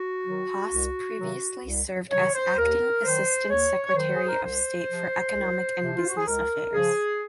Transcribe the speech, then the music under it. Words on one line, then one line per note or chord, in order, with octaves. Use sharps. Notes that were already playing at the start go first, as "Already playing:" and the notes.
Haas previously served as acting assistant secretary of state for economic and business affairs.
Already playing: F#4
D#3 F#3
C2
C3 D#3 F#3
C2
C3 D#3 F#3 C#5
C5
D#2 A#4
D#3 F#3 C5
D#2 C#5
C#5
D#3 F#3 C5
G#4
A#4
C2 C5
C3 F3
C2
C3 F3
F4
F#4
G#4
C#2 A#4
C#3 F3 G#4